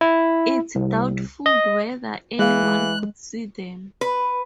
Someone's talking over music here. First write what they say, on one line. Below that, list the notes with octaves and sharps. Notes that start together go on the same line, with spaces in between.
It's doubtful whether anyone could see them.
E4
C2
D#5
E3 G#3 G#4 F5 F#6
B4